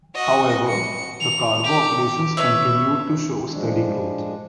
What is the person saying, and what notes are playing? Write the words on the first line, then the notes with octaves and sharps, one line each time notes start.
However, the cargo operations continue to show a steady growth.
F#4 D#5
C#7
F7
G4
B4 C#5 E5
F3 G#3 D4